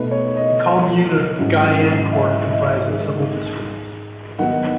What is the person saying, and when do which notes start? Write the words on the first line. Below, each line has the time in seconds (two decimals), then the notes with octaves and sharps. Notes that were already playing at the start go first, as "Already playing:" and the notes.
The commune of Guyancourt comprises several districts.
Already playing: B2 A3 D#4 B4
0.11 C#5
0.37 D#5
1.37 G#2 F#3 C#4 E4
2.09 D#5
2.12 E5
2.45 D#5
2.50 E5
2.88 D#3 G#3 D#4
4.38 D#3 F#3 B3 D#4 F#5